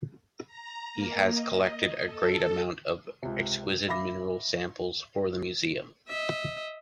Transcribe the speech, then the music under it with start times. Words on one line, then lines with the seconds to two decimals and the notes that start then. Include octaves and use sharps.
He has collected a great amount of exquisite mineral samples for the museum.
0.47 A#5
0.94 A#3
1.29 D#5
2.05 A4
3.23 C#2 C3
3.88 E5 F5 B5 D6 A#6
6.08 D#5 E5